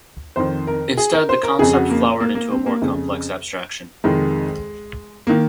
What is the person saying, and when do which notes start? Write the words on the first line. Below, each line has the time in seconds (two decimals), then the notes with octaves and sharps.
Instead, the concept flowered into a more complex abstraction.
0.36 F2 D#3 C5
0.67 A#4
0.97 G#4
1.14 A#4
1.29 C5
1.43 A#4
1.59 F2 C#3 G#4
1.74 F#4
1.90 A#3
2.20 A#3
2.35 A#3
2.51 C4
2.66 A#3
2.82 F2 C#3
4.04 F2 C3 D#3 G#3
5.27 D#3 A#3